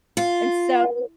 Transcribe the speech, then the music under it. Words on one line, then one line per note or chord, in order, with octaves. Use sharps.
and so
F4